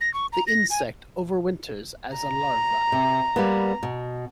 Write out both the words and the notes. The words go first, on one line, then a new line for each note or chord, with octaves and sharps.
The insect overwinters as a larva.
A#6
C#6
A#5
A#6
G#5
A#5
C3
G3 A#3 B3
B2